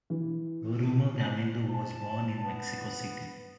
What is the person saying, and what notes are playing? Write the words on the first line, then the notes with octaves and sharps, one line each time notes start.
Guillermo Galindo was born in Mexico City.
E3
A5
B3